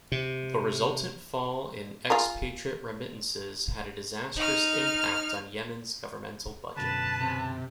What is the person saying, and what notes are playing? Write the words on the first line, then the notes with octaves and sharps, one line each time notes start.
The resultant fall in expatriate remittances had a disastrous impact on Yemen's governmental budget.
C3
F4 G#4 A#4
D#4 F6
F#2 B2 D3 B4 A5
C3